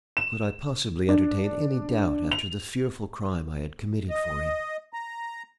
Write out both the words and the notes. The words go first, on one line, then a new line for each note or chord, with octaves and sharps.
Could I possibly entertain any doubt after the fearful crime I had committed for him?
E7
D4
F7
D#5
A#5